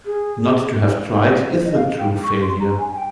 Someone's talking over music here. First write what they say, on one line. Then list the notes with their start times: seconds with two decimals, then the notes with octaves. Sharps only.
Not to have tried is the true failure.
0.05 G#4
1.51 C5
1.65 D#5
1.75 F5
1.99 G5
2.23 C#6
2.42 C6
2.60 A#5
2.78 G#5
2.92 G#5
2.96 G5